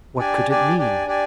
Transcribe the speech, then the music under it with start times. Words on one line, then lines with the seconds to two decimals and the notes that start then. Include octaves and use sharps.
What could it mean?
0.19 D4 G4 D5 G#5
0.48 D4 G4 D5 G#5
0.76 D4 G4 D5 G#5
1.06 D4 G4 D5 G#5